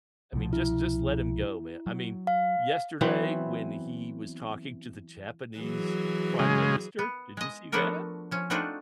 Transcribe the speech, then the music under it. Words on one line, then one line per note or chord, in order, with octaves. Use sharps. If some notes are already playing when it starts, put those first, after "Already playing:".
I mean, just just let him go, man. I mean, yesterday when he was talking to the Japanese Prime Minister, did you see that?
C2 B2 F3
E4
F#3
F5
E3 F#3 B3 C4
E3 F#3 G#4
C#3 G#3
B3
G#3 D#5
F3 A3 B3 D4 F#4 A#4
F3 C#4
A3 C4 D4 D#4 F4 F#4